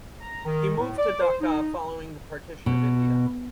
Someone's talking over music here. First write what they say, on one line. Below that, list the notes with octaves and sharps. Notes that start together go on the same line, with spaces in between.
He moved to Dhaka following the Partition of India.
A#5
D#3
A2
D5
C5
D#4
B2